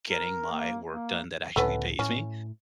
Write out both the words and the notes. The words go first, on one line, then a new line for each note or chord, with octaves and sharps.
getting my work done that actually pays me,
A#4
A#3
A#3
C#2 A2 D3 A3 B3 C#4
A2 C#4